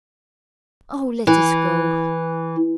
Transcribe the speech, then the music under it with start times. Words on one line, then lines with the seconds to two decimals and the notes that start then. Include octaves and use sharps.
'Oh! let us go.
1.27 E3